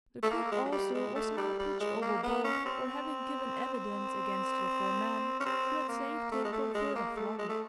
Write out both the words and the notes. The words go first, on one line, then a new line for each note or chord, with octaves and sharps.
The cook also was now pitched overboard for having given evidence against the four men who had saved him from further flogging.
A3
A#3
G#3
F#3
G3
G#3
A3
G3
G3
G#3
A#3
B3
C#4
C4
C4
C#4
C4
A#3
A3
G#3
A3
G#3
A#3
A3
G#3
A3